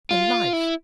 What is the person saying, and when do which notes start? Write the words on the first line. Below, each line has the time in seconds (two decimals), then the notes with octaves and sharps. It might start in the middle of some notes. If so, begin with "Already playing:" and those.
The life!
0.11 F4
0.53 E4